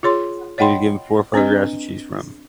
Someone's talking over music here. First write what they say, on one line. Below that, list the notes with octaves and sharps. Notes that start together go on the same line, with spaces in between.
He was given four photographs to choose from.
F4 G#4 C#5 C6
C#5 D#5 F#5 G5 B5 C6
C4 D4 B4 D#5